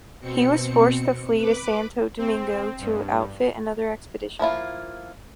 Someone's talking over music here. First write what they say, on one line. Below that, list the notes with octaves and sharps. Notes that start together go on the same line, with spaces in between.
He was forced to flee to Santo Domingo to outfit another expedition.
B2 C4 C#7
B4 B5 D6
C4
G2
F3 A#3 E4 F4